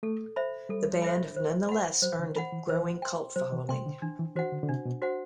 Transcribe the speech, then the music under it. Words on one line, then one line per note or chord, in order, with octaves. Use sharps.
The band have nonetheless earned a growing cult following.
A3 A4
C5 E5 B5
G3 A4
C5 E5 B5
C5
F#5 B5
F#3 C5
D3
E3 F#5 B5
E3
E3 C5
G5 C6
F#3 C5
E3
C3 G5 C6
D3
E3 D4
E3
E3 F#4 C5 F#5
D3
D3
C3 D4
B2
F#4 C5 F#5